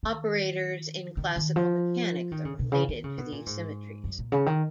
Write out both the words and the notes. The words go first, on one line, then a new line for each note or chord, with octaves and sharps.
Operators in classical mechanics are related to these symmetries.
D#3
D#3
D#3
F3
D#3
C#3
B2
C#3
D#3
C#3
B2
A#2
G#2
F#2
A#2
C#3
D#3